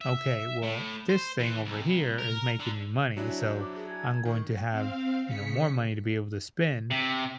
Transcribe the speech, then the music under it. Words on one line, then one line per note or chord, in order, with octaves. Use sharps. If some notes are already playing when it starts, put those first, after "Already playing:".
"Okay. Well, this thing over here is making me money, so I'm going to have, you know, more money to be able to spend,"
E5
A2
C5
E3
C2
A#4
D3
F#3 D4 E4 G4 E5 G#5
C5
D6
G#4
G#5 A#5 G#6
D#3 C#6
C4 F5
C#3 B6 C#7
C3